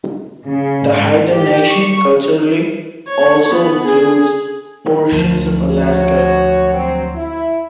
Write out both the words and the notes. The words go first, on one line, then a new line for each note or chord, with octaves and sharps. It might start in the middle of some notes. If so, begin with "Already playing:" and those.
The Haida Nation, culturally, also includes portions of Alaska.
C#3
G#2
G4
C#6
C#5
B3
G#4
D2 F3
F#2 F#4 C#5
F#3 C4
E4